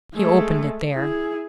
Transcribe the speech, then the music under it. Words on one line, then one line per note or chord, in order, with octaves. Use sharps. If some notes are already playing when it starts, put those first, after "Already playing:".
He opened it there.
G#3 A3
E4 G#4